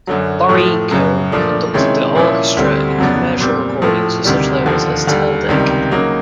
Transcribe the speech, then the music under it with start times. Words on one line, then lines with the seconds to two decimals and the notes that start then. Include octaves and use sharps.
Boreyko conducted the orchestra in commercial recordings for such labels as Teldec.
0.07 F#2 D3 F#3
0.49 A2 F3 A3
0.91 F#2 C#3 F#3
1.32 A#2 F3 A3 D4
1.74 C3 D#3 G#3 C#4 E4
2.16 A#2 F3 A#3 C#4 E4
2.57 D2 D3 G3 C4
2.98 F2 C#3 F#3 B3 D4
3.40 A#2 G3 C4
3.82 A2 F3 A3
4.25 D2 C3 D#3 G3
4.66 D#2 D3 F3
5.07 D#2 D3 G3
5.49 C#2 C3 D#3 G3
5.91 C#3 F#3 A#3 D#4